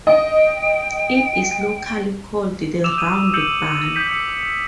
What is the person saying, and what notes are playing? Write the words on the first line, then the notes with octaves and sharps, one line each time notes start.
It is locally called "the round barn".
D#5 G5
D6 E6 E7 F7
D#6 G6 D#7 F7
E6 G6 C#7 D#7 F#7
D#6 G6 B6 D#7
G6 C#7